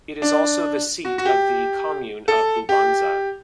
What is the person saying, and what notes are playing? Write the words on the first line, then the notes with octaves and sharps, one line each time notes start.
It is also the seat of the Commune of Bubanza.
D4
F#4
F#4
G4
A4
G4